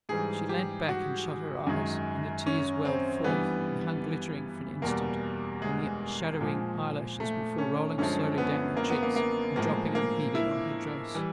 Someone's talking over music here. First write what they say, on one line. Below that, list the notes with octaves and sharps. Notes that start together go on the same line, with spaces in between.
She leant back and shut her eyes, and the tears welled forth, and hung glittering for an instant on the shadowing eye-lashes before rolling slowly down her cheeks, and dropping, unheeded, on her dress.
G#2 E3 G3 G#4
G4
F#4
F#2 D#3 G#3
C#4
C4
G2 E3 G3 B3
E2 B2 G3 A#3
G#3
A#2 F3 G#3
A3
C#4
F#2 D3 F3 G#3 C#4
B3
A#3
B3
A#3
A#3
A2 F3 G#3 A#3
A#3
E4
E3 G3